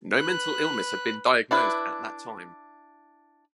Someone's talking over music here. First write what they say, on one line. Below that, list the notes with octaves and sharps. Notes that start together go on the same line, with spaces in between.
No mental illness had been diagnosed at that time.
B4 F#6
D4 E4 B4